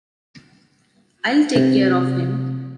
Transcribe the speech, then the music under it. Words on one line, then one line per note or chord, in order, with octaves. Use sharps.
I'll take care of him.
C3